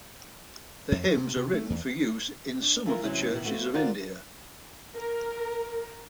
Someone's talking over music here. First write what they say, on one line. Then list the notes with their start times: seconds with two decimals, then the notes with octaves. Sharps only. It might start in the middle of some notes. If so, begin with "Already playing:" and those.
The hymns are written for use in some of the churches of India.
0.92 F2
1.05 F#3
1.17 C3
1.37 C3
1.54 A3
1.70 E2
2.62 D4
2.86 E3 F4 A#4
3.03 C3 E3 F#3 G#3 C#4 E4
3.33 B2 D#3 E3
3.45 F3 A3 B3 F#4
3.74 F4 F#4 A#4 C5 D5 F5
4.96 A#4